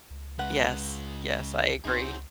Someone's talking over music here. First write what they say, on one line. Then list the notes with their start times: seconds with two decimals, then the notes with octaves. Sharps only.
Yes, yes, I agree,
0.11 C#2
0.39 C#3 G#3 B4 F#5
1.85 C#2 F#3 C4 D#4 E4 G#4